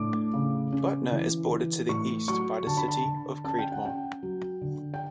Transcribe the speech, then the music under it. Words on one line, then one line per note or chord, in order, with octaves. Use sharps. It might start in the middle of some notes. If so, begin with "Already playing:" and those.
Butner is bordered to the east by the city of Creedmoor.
Already playing: A2 D4 D6
C#3
C#4
E3
E3
A2 C#6
F#3 C#6
D3 A5
B5
A5
D3
C#4 A5
G5
F#5
C#4 G5
F#3
D3
G5